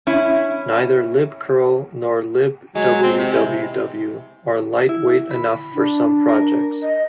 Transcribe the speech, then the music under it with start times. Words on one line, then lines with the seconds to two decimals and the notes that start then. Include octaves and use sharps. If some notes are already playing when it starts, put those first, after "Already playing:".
Neither libcurl nor libwww are lightweight enough for some projects.
0.07 C#4 E4
2.75 F#3 G#3
3.02 C4
3.17 C3
3.31 G#3 E4
4.89 E4
5.31 B5
5.74 D4
6.29 A#4
6.82 D#5